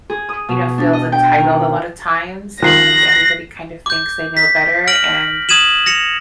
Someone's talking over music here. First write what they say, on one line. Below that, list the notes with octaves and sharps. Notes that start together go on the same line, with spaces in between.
you know, feels entitled a lotta times, and everybody kind of thinks they know better, and
G#4
D#6
B2
D4
D#5
G5
D#3
D#3 F3 F4 F#6 A#6 C7 F#7
D6 G6
B6
F6 A#6 D7 F#7
D#6 G#6 D#7 E7 F#7
A#6 C#7 F7